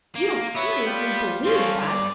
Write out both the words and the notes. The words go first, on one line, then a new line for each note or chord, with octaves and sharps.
"You don't seriously believe that?"
A#3
B3 B4 C#5 E5 B5
G3 F4 G5
G2 C4 C#4 F4
D5